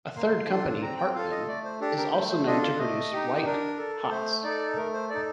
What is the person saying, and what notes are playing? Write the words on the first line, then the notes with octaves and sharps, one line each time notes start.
A third company, Hartmann, is also known to produce white hots.
A#3 C6
D4 F4 A4
C4 A#5
G5
F4 A4 F5
D#5
A3 D5
C5
D4 G4 A4
A#4
A3 C5
C5
D4 F4 A4 D#5
F5
A3 D#5
D#4 G4
D4 A#4
A4
A3 C5
D#4 A4 D5
A3 A#4
C5
D#4 A4 D5